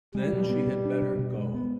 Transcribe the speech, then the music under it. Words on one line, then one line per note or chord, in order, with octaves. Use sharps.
Then she had better go.
G3 G#3
B2
B3
B2
D4
B2
B2
G#3
B3